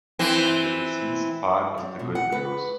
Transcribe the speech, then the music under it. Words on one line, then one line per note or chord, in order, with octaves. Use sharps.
And the deceased part is the good news.
E3 C4
F#2
B2
F#5
B4